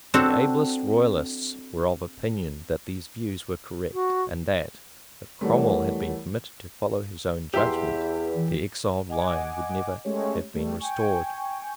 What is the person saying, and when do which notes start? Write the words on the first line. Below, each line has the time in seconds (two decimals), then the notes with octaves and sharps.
The ablest Royalists were of opinion that these views were correct, and that, if Cromwell had been permitted to follow his own judgment, the exiled line would never have been restored.
0.14 C4 D4 F#4 A4
3.93 F#4
5.41 E3 G3 A3 A#4 C#5 F#5
7.54 E2 G4 E5 C6
8.35 E3
9.09 D#5 F#5 G#5 D6
10.04 G#3 A3 C#4 G4 C#5
10.54 G3 A3
10.79 G5 G#5 C#6